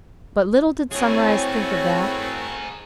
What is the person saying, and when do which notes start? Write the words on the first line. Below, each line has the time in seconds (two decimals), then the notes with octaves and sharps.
But little did Sunrise think of that.
0.91 A3 C4 E4 F#4 G#4 A#4 C#5